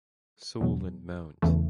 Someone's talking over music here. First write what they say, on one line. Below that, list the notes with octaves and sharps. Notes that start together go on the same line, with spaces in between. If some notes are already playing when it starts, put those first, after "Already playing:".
Sole and Mt.
E2 B2 F#3
E2 C#3 E3 A3